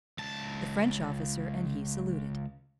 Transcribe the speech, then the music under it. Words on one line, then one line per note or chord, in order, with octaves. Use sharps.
The French officer and he saluted.
C#2 A5